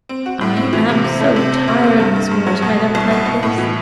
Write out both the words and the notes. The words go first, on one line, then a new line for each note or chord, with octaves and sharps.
I am so tired and sore tied up like this.
C4
F#4
A2
C4
E3
C3
C4
A3
C3
C4
D2
C3
G2
G2
G2
F#3
B2
B2
C2
B2
B3
A2
E3